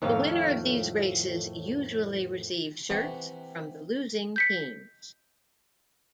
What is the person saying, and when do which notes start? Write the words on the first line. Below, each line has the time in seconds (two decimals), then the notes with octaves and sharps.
The winner of these races usually receive shirts from the losing teams.
0.02 F2 A2 D#3 C#5 F5
2.90 C3 E3 F#5 A5 C#6
4.36 G6 B6 C#7